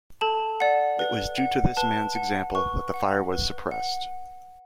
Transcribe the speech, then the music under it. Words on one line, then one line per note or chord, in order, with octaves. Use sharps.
It was due to this man's example that the fire was suppressed.
A4 A5
D5 F#5
B4
F#5
B4 A5
F#5
B4 C#6
F#5
B4
F#5